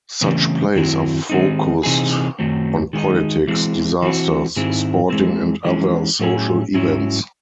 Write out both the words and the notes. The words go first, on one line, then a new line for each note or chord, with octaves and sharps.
Such plays are focused on politics, disasters, sporting and other social events.
C#3 E3 A3 C4
F#2 D#3 F#3 C4 E4
D#3 G#3 C4 D#4
C3 E3 C4 D#4 G#4
F#2 D#3 F#3 A3 C4
D#3 G#3 D#4
E3 G#3 C4
E3 C4 F#4
G#2 D#3 G#3 C4 E4
E3 G#3 C4
E3 G#3 C#4
A2 F#3 C#4 E4 G#4
G#2 F#3 C#4 E4